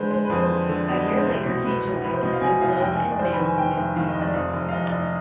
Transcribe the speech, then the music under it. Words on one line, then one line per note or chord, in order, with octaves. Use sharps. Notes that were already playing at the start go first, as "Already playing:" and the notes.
A year later, he joined "The Globe and Mail" newspaper.
Already playing: D3 G#3 B4 C5
G#3 C5
B4
F2
C5
D3
D3
B3 D5
D#5
G#3
C5
C2
B2
B2 B4
C2
C2 B4
C5
B2 D#5
F5
B2 G#5
C2 F5
F1 G5
G#5
F1
D5
F1 C5
B4
D#3
G#5
F1 G5
F1
D#3 F5
D#5
F1
D5
F2
F1
F5
F1 D#5
D5
F1
D#5